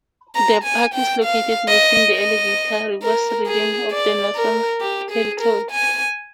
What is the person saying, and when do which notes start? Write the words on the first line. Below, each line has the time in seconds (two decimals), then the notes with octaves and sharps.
The park is located within the Alligator Rivers Region of the Northern Territory.
0.35 A#5
0.64 G#5
0.94 G5
1.24 F5
1.68 D#5
2.14 D#5
3.03 A#4
3.47 G#4
3.92 D5
4.36 A#4
4.81 G4
5.11 G#4
5.40 A#4
5.71 G#5